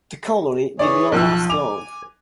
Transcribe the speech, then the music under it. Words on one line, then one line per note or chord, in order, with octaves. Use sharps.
The colony did not last long.
E3 G#4 C#5 D5
B1 F3 E6 F#6
G#5 D6 F7